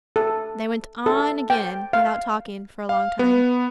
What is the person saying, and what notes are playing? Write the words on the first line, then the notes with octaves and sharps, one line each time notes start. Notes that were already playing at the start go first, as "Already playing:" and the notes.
They went on again, without talking, for a long time.
A4
A4
G5
F5
F5
B3